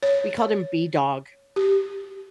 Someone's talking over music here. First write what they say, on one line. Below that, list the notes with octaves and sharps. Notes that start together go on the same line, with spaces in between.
We called him B-Dog,
C#5
G4